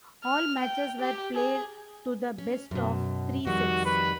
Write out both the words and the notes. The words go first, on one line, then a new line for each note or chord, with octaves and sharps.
All matches were played to the best of three sets.
F6
G5
G4
G#4
C#4
F#2 B2
F2 D#3 G3 F#4
B4